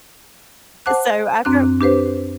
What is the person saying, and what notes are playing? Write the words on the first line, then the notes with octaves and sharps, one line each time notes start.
And so, after
C5 F#5 A5 D6 F#6
F#2 C4 D4 F#6
D4 G4 B4 C5